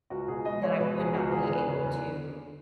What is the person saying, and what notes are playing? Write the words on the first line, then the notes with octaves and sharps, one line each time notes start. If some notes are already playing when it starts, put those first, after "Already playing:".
that I would not be able to
C#2 F#4
B2 G#4
G#3 D#5
G#3 C#5
B2 B4
C#2 G#4
C#2 F#4
E2 G#4
G#4
E2
B4
C#3
E2